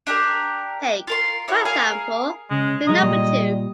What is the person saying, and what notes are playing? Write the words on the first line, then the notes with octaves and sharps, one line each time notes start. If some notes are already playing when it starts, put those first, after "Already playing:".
Take, for example, the number two.
D4 G4 A#4
F4 A#4 C6
E4 F#4 C#5
G#4 A#4 F5
C#3 G#3
C2 F#3 G#3 D#5 A#5
A#2 G3